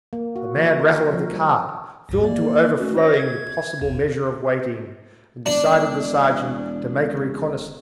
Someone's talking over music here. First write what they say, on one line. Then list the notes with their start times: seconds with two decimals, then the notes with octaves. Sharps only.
The mad rattle of the cart, filled to overflowing the possible measure of waiting, and decided the sergeant to make a reconnaisance.
0.13 A#3
0.36 F#4
0.56 F3
0.79 A#4
1.13 F3
1.33 G3
2.09 A#1 D#2 G#2
2.23 A#3 D5
2.80 A3 C#4 F#4
2.96 C5 C#5 A#6
3.19 G#6
3.81 G#1 E2
5.46 E1 D4